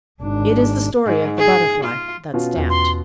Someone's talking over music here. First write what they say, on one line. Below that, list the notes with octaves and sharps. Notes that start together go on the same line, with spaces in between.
It is the story of the Butterfly that Stamped.
G#1 D4
G#2
G#4
F4
B2 C#4 F4
E2
C6